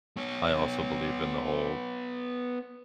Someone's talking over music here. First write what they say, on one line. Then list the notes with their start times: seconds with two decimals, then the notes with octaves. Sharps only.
I also believe in the whole
0.17 B3 C#5